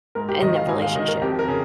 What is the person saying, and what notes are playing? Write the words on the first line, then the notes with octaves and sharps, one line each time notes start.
in the relationship?
G#2 A#4
G4
D#3 D#5
F5
G#2 G#5
F5
D#3 D#5
A#4
F2 G4
A#4
C#3